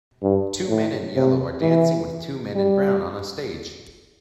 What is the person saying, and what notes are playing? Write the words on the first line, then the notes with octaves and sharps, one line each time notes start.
Two men in yellow are dancing with two men in brown on a stage.
G2
A2
C3
E3
G3